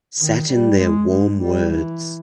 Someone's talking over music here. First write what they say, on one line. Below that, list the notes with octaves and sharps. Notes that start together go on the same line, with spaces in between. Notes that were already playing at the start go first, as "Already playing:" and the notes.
Sat in their warm words.
D#3
G3
G#3
G#3
G3
E3